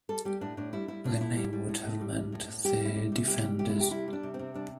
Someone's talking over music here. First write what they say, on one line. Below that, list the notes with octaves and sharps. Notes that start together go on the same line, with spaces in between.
The name would have meant the "defenders".
G3 A4
G3 G4
A2 D4
A2 D4
G3 E4
G3 E4
A2 D4
A2 E4
G3
G3
A2
A2
G3
G3
A2
A2
G3 G4
G3 E4
C3
C3
G3 G4
G3
C3 G4
E4
C3 G4
G3 E4
G3
D4
C3
C4
C3
G3 D4